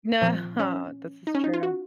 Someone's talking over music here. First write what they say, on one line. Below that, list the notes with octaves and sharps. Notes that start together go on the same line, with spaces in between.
No. This is true.
A#2 F3 C4
C#4
D#4
C#4
D#4
F4
F#4